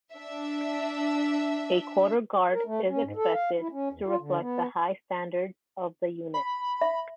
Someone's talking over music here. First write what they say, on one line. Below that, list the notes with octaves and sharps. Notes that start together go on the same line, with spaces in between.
A Quarter Guard is expected to reflect the high standards of the unit.
D4 E5
A#4
A3
C#4
G#2
A4
F5
E4
C#4
E2
F4
D3
B3
B5
E5